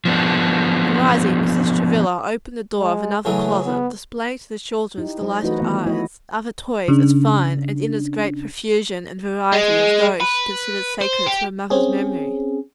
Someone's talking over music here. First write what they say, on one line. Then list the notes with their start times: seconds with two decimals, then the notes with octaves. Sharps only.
And rising, Mrs. Travilla opened the door of another closet displaying to the children's delighted eyes other toys as fine and in as great profusion and variety as those she considered sacred to her mother's memory.
0.05 F3 B3 D4
2.77 G#3
3.25 C#3 E3 F#3 A3
3.65 B3
4.98 D#4 E4 G4
5.21 F#3 D4 C5 D#5
5.43 E3 A3 D#4 F#4 B4 D#5
5.61 D#3 E3 A3 B3
5.86 F3 A3 E4 F#4 C#5 D#5
6.88 C#3 D4
9.52 G#3
10.21 B4
11.01 C5
11.26 G4
11.70 C4 C#4 G#4